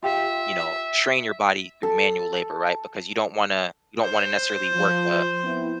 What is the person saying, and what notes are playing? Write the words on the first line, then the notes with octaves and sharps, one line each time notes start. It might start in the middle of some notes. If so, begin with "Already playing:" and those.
you know, strain your body through manual labor, right, because you don't wanna you don't wanna necessarily work a
F4 G4 E5 F5
A4
C5
F3
B3 C4 E4